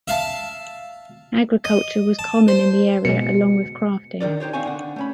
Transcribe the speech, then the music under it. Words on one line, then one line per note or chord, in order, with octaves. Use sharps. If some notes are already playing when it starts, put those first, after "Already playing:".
Agriculture was common in the area along with crafting.
E5 F5 A5
D#5
A5
C5
B2 G#3 C#7
D#3 D4 A#4 D5
D#4 G4 C5 C#5
C4 D4 D#4 C#5 F5 G#5
D3 F#5
A3 C#4 B5